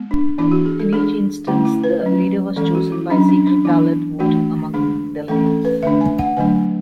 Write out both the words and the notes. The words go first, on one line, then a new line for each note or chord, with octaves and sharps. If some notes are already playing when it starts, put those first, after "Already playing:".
In each instance, the leader was chosen by secret-ballot voting among delegates.
Already playing: G#3 B3
D4
E3 B3 D4 E4
F#4
G#4
A4
G#3 D4 G#4
D3 A3 C#4 E4
E4
B4
F#3 C#4
E3 G#3 C#4 A4
F#4
E4
F#3 C#4 D4
D4
D4
E3 B3 D4 E4
E3 A3 D4 F#4
D3 G#3 D4 G#4
E3 A3 C#4 A4
A4
B4
D3 A3 D4 E5
G#5
F#5
D3 F#3 A3 D4 G#5